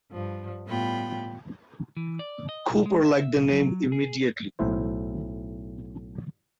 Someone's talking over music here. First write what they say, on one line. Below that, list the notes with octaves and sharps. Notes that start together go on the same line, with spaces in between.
Cooper liked the name immediately.
G2 F3
A2 G3 B3 F4 G5 B5
E3
D5
D#5
B1
G#3
E5
B1
F#3
G#4
B1 A2 E4 C5